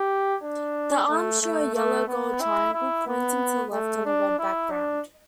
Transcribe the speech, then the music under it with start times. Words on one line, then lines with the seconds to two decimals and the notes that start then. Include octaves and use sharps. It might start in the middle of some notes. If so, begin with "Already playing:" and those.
The arms show a yellow-gold triangle pointing to the left on a red background.
Already playing: G4
0.43 D4
1.09 A3
1.41 A3
1.75 A3
2.08 B3
2.41 E4
2.74 E4
3.07 B3
3.72 A3
4.05 D4
4.39 E4
4.71 D4